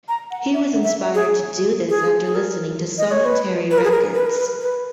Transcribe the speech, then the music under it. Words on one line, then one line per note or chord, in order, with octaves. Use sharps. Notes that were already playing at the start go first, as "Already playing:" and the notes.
He was inspired to do this after listening to Sonny Terry records.
A#5
F#5
E5
E5
G#4
G#4
G#4
A#4
D#5
C#5
B4
B4
A#4
G#4
A#4
B4
A#4
B4
B4